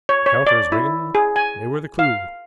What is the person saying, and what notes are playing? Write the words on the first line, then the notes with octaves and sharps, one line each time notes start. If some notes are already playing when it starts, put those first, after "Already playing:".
The counters, Wigan, they were the clew.
C#5
C#5
D5
E4
G#4
G#5
F5